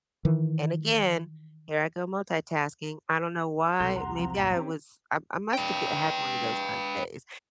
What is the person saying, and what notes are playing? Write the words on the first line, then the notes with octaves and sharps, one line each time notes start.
And again, here I go multitasking I don't know why, maybe I was I I must of b have had one of those kinda days,
D#3 E3
C2 B2 G4 A4 C6 G6
E2 F#5 A#5 C6
F3 F#3 C4
G2 A#2
C4 C#4 G4
B4 G5